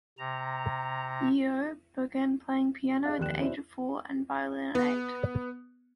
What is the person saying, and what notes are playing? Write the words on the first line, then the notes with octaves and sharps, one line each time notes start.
Yeoh began playing piano at the age of four and violin at eight.
C3 A#5
C3
G#4 D5 D#5 F5 F#6
F1 D#2 D5 G5 F#6 E7
B2 C#4 E4 C5 D5 E5
B3